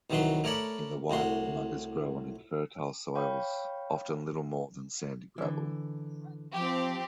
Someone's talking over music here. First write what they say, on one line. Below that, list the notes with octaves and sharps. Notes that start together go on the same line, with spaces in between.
In the wild muggas grow on infertile soils, often little more than sandy gravel.
C2 D#3 E3 F#3 B4 C6
A3 A#4 C#5 D5 B5
C2 A2 F#4 C6
C#5 F5 G5 B5
D3 E3
F3 C4 G4